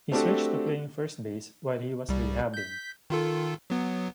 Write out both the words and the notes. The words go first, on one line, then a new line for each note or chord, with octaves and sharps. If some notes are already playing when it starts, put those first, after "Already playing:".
He switched to playing first base while he was rehabbing.
A3 C4 D4 F#4 G4 A4
C2 G3
G6 B6
D#3 F4 A4
F#3 B3